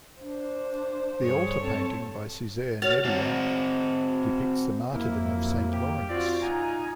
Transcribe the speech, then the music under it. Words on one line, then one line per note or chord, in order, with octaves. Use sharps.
The altar painting by Cesare Nebbia depicts the martyrdom of Saint Lawrence.
D4 C5
G2 G#4 C#5
C4 A4 A5
F#4 C#5 F6 A6
C4 F#4
F2 F#3 A#3 E4
G4
C4 F4 F#4 D5
D#4 F#5 G#5 A#5